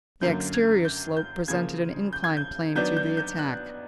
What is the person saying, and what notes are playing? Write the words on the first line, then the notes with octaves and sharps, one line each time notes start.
The exterior slope presented an inclined plane to the attack.
F#2 D3 F#3 A#3 G6
G#6
G6
G6
C#3 F3 A#3 G#6
G6
G#6
G6
D#3 F#3 B3 D4 G6
G6
G6
F#6